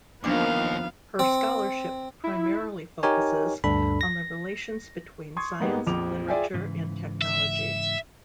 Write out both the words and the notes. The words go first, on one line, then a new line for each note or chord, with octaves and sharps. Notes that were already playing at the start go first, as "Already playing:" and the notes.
Her scholarship primarily focuses on the relations between science, literature, and technology.
D#2 D#3 F3 B3 D4 F5 G5 D6
C4
E4
D#4 G4 A#4 C#5 G#5
D2 G2 D4 A4 B5
A#6
C6 C#6 D#6 G#6
G#2 A#3 B3 D#4 G4
A#1 F2 D6 F7
F4 G#4 D5 E5 G5 G#5
G#2 C#3 E3
E5